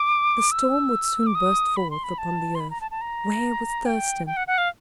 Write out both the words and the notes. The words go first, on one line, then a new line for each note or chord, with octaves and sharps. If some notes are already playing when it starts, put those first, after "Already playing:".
The storm would soon burst forth upon the earth; where was Thurston?
Already playing: D6
E6
D6
D#6
B5
C6
B5
A5
C6
B5
A#5
A5
A5
A#5
G5
G5
F#5
F#5
F5